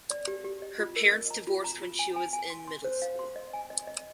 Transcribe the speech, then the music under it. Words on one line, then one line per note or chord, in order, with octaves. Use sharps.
Her parents divorced when she was in middle school.
D5
G4
G4
D#5
F4
A#4
D#5
A#5
F4
A#5
F4
G#5
G#5
G#5
C6
C6
C5
F5
C6
D#5
G#5
D#5
D#5